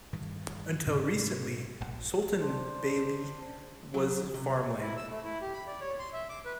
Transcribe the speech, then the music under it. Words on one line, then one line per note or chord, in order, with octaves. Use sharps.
Until recently Sultanbeyli was farmland.
G2 D#3 E3
G#2 C3 C#4
D#1 A#1
D4 C5
F#3
C3
E4
E6
A3
E4
G4
B5
D5
C#5
C6
E5
D6
B4